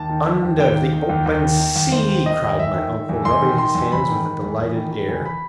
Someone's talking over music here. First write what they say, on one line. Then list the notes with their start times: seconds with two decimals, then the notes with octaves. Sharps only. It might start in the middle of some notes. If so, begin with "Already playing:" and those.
"Under the open sea," cried my uncle, rubbing his hands with a delighted air.
Already playing: D#2 A5
0.09 D#3
0.26 D#3
0.43 D#2
0.59 D#2 G5
0.76 D#3
0.93 D#3
1.09 D#2
1.26 D#2
1.42 D#3
1.59 D#3
1.76 D#2
1.92 D#2 C5
2.09 D#3
2.26 D#3 D#5
2.42 D#2
2.59 E2 E5
2.76 D#3
2.93 D#3
3.09 E2
3.25 E2 C6
3.41 D#3
3.58 D#3 C6
3.75 E2
3.92 E2 B5
4.08 D#3
4.25 D#3
4.42 E2
4.58 E2
4.74 D#3
4.92 D#3
5.09 E2
5.25 B5